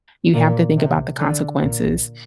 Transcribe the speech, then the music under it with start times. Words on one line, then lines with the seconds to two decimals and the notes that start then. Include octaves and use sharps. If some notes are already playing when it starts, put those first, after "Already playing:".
you have to think about the consequences,
0.34 A#2
0.76 C3
1.19 D3
1.60 A#2